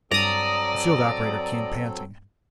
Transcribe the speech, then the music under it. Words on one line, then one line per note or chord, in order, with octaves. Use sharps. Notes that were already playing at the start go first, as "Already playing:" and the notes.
The field operator came panting.
G2 F#3 C4 A4 D5 A#5 D#6